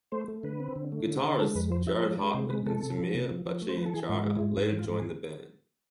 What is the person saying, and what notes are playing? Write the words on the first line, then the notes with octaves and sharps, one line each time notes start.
Guitarists Jared Hartmann and Sameer Bhattacharya later joined the band.
A3 C5
A3
D3 B4
C4
D3
A3
D3
D3
G#3 A4
F2 B4
F3 C5
F3 E5
G#3 C5
G#3 D5
C3 C5
G#3 B4
C3 A4
C3
F3
C3
F3
F3
A3
C5
F3 B4
A4
E3 G#4
G#2
F4
G#3
E4
G#2
G#2 F4
E3
F4
G#2
G#4